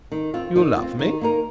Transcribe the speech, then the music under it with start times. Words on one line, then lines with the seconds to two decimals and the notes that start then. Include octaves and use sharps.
"You love me?"
0.12 D#3
0.34 C4 F4
0.56 D#3
0.77 F4
0.82 C4
0.99 D#3
1.21 A#3 D#4 A#4